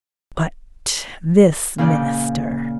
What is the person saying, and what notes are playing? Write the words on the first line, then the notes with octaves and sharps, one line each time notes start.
But this minister.
A#2 C#3 D5 G6